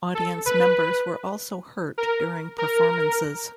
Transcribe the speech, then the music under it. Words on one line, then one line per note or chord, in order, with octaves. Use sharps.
Audience members were also hurt during performances.
A4
B4
A#4
A#4